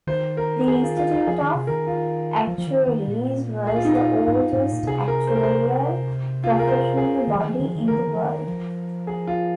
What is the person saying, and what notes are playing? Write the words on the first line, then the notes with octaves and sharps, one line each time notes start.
The Institute of Actuaries was the oldest actuarial professional body in the world.
D#3 C5
A#4
G#4
F4
F4
F4
F3 G#4
D#3
C3
D#3 A#4
F4
F3
F3
D#3
D#3
A#2
G#4
F4
D#4
F4
G#2
A#2
G#2
A#2
A#2
C3 G#4
A#4
C5
A#4
C5
F4
G#4
A#4
C5
G#4
D#3
F3
D#3
F3
D#3
F3
D#3
F3
D#3 A#4
F3
D#3
F3
D#3
F3
G#4
F4